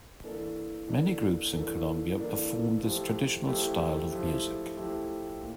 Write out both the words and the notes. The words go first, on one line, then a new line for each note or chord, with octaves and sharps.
Many groups in Colombia perform this traditional style of music.
E3 A#3 D4 A4
E3 A#3 D4 A4
E3 A#3 D4 A4
E3 A#3 D4 A4
F3 A3 E4 G4
F3 A3 E4 G4
F3 A3 E4 G4
F3 A3 E4 G4
A#2